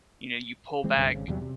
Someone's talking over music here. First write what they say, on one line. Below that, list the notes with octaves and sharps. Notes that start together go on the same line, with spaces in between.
you know, you pull back
E3 G#3 C4
C2 G2 D3 C4
G#1 C#3
E2 C3 F#3 G3
C3